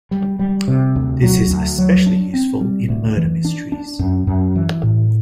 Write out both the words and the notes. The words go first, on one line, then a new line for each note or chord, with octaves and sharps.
This is especially useful in murder mysteries.
G3
G3
C3
D2
F#3
D2
F#3
D4
C4
G3
D2
E3
D4
D4
F#2
F#2
E3
A2